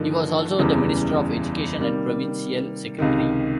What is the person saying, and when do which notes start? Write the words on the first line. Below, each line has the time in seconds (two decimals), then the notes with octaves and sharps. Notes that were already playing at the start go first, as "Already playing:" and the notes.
He was also the Minister of Education and Provincial Secretary.
Already playing: G2 D3 F3 A#3 D#4
0.59 F#1 E2 C#3 E3 G3
1.78 C3 D#3 G3 A#3
2.98 C#2 C3 D#3